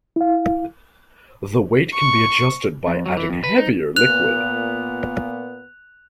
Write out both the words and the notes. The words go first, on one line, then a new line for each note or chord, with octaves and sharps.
The weight can be adjusted by adding heavier liquid.
E4 F5
C#6
F2
F#3
E3
F2
B4
D#4
A#2 B3 F#6 F7